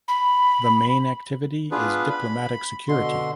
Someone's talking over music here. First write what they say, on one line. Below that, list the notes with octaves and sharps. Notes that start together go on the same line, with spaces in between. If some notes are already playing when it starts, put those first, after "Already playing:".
The main activity is diplomatic security.
B5
B3 D4 F4 G#4 B4
B5
B2 D3 C6